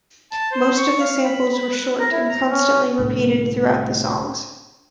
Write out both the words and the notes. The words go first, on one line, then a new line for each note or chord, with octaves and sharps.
Most of the samples were short and constantly repeated throughout the songs.
A5
C5
C#6
F5
B5
B5
F#6
A#4
E4
A#5
C#4
C2 A2 D3